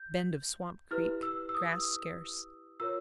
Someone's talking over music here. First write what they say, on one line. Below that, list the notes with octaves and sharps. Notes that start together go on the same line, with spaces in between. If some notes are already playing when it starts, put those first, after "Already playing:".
Bend of Swamp Creek.--Grass scarce.
Already playing: G6
E4 G4 B4 F6
E6
E6
D#6
F4 A#4 C#5 E6